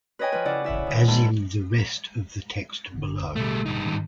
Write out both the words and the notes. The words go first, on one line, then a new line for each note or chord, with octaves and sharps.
As in the rest of the text below.
B4 C#5 D#5 G5 G#5
F3 B4
C#3 E4 D5 F#5 D6
E4 E5 F#5
D#3 E3
G#2 E3 A5 B5
G1 D3
A1 B2 D3 G3 A3
G2 D#4
G#2 D#3 C#4